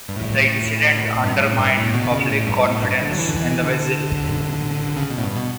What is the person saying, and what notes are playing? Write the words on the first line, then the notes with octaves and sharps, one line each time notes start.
The incident undermined public confidence in the vessel.
G2
A2
G2
A2
G2
A2
B2
C#3
A2
G2
A2
G2
D3
F#3
E3
D3
E3
D3
C#3
B2
A2
G2
B2